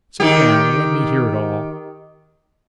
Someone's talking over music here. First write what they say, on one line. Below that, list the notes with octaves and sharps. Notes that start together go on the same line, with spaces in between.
Sit down, and let me hear it all.
D#3 G4